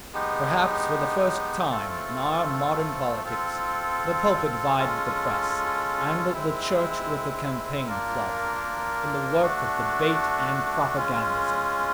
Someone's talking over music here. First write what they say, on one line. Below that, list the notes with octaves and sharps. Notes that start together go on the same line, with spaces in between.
Perhaps for the first time in our modern politics, the pulpit vied with the press, and the Church with the campaign club, in the work of debate and propagandism.
G#3 B3 D#4 G4
A3 C4 F4 A4
C4 F4 A4
G#3 C#4 F4 A4
G#3 C4 E4
A#3 D4 F4 A#4
A3 D4 F#4
G#3 C#4 F4